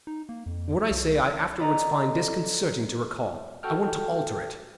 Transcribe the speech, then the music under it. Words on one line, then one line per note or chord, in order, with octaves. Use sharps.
What I say, I afterwards find disconcerting to recall. I want to alter it.
D#4
A#3
F2
C2
A4 B4 D5 D#5 A#5
F#4 A4 G5 F6